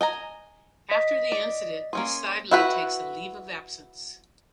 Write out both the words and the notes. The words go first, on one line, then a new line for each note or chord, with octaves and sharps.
After the incident, Miss Sidley takes a leave of absence.
D#5 G#5 A#5
D#5 B6
D5
A#3 C#4 G#4 C6
E4 F#4 B4